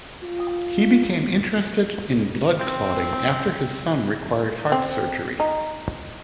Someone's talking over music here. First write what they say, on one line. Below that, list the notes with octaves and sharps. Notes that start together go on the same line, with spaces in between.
He became interested in blood clotting after his son required heart surgery.
F4
C4
C4
D#4